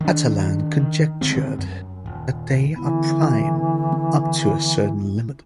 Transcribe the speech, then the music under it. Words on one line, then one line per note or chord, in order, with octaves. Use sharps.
Catalan conjectured that they are prime "up to a certain limit".
D#3 D4
D#3
D3 D#3 G3 C4
F#2
D#1
D3 E3 B3 E4